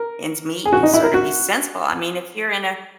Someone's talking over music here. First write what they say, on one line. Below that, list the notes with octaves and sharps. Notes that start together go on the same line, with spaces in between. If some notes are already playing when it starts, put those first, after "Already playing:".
ends meet and sorta be sensible. I mean if you're in a
Already playing: A#4
G#4
F#4
D#4
E4
A#4
F#4